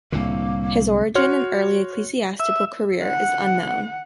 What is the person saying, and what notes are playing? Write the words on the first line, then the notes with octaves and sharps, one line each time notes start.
His origin and early ecclesiastical career is unknown.
C2 A2 D3 A#3
F#4 C#5 C6 F6
E5
F#5